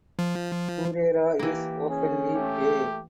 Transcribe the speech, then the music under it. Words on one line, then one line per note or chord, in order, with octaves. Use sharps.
Guerrera is openly gay.
F3
E3 A#3 G4
C#4 G#4
A3 G4